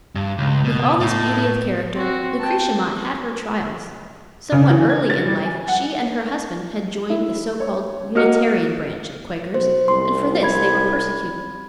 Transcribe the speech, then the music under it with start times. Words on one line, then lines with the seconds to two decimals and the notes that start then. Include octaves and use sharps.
With all this beauty of character, Lucretia Mott had her trials. Somewhat early in life she and her husband had joined the so-called Unitarian branch of Quakers, and for this they were persecuted.
0.15 G2
0.38 C#2
0.64 B2
1.01 A2
1.93 C4 F#4
2.39 G5 A5
4.52 C#3
4.70 E3
4.89 G#6
5.10 A6
5.26 G3
5.45 G#5
5.68 F#5
7.10 E4
7.60 C#5
8.15 A#3 F#4 D#5 F6 C#7
9.54 B1 C5
9.88 C2 C6
10.43 B5 G#6